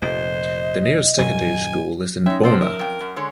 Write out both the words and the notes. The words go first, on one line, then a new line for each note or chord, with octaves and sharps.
The nearest secondary school is in Boonah.
F1 F2 A#2 C5 D#5
D#1 F#2 F#3 G#5
G#3 C#4 D#4 C#5 E5
B3 A4 C5 D5
D#4 A#4 E5
F2 G5
F#2
D3 G#3 C#5